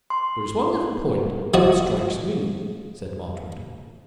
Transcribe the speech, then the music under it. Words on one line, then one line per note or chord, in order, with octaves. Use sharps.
"There is one little point that strikes me," said Marchmont.
C6
F3 F#4 D#5